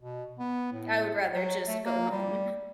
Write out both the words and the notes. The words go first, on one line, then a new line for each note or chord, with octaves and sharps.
I would rather just go home.
B2
B3
A2
F#3
A3
A#3
G3